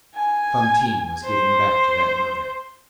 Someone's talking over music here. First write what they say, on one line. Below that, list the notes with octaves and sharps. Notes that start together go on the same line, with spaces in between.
Fantine was given back to that mother.
G#5
C5